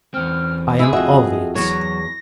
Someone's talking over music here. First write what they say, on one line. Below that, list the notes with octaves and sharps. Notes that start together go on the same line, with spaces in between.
I am of it.
E2 C4 F6
E4 G#4 C5 E6
F2 F#4 D#5 E5
E2 F#3 C#5 A#6